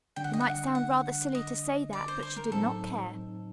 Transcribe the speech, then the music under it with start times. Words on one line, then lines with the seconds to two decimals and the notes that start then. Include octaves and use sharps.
It might sound rather silly to say that but she did not care.
0.16 D3 G3 D4 G5
0.24 F#5
0.33 D#5
0.40 F#5
0.75 F#5
1.35 D#5
1.93 D5
2.08 C5
2.23 C5
2.37 A#4
2.51 A2 F#3 C4 D#4 A4